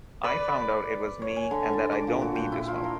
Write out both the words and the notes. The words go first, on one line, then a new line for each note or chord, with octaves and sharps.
I found out it was me and that I don't need to smoke.
B4 D5
C#5
G#5
D3
A5
D6
A#2
F#4
G5
E4
F4
A#4